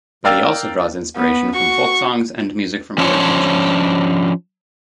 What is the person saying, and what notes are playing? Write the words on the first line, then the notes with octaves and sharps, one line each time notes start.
But he also draws inspiration from folk songs and music from other cultures.
A#4 D5 F5 G5 E6 A6
B3
F#4 C#6
F3 C#4 D4 C5 C#5